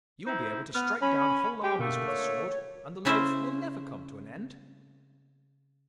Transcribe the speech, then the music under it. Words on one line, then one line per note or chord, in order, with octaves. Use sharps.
You will be able to strike down whole armies with the sword, and the loaf will never come to an end.'
D#4 E4 C5
B3 F6
C#4 B5
G#3 G4 G5
B2 D3 A3 A#3
C#5
C#3 C#4 E4 C5 D#5 E5